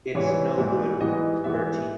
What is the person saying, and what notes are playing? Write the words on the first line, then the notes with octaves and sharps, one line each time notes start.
It's no good, Bertie.
G#2 E3 G3 B3 E4 C#5
G#2 E3 G3 B3 E4
G#2 E3 G3 B3 E4 D#5
G#2 E3 G3 B3 E4 E5